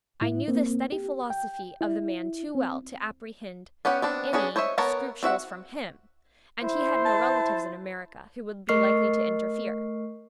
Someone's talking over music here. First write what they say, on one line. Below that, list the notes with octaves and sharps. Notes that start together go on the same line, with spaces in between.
I knew the steady philosophy of the man too well to apprehend any scruples from him; and he had no relatives in America who would be likely to interfere.
A2 E4
A#3 C4
G4
G5
E4
C4
B3 C#4 G4 F#5
B3 C4 D4
B3 C#4 D4 G#4
C5 C#5 D#5 E5
B3 A#4 C#5 A5 A#5
C4 F#4 E5 F#5
E4 C5
A5
A3 A#4 D#5 C#6 F6 C7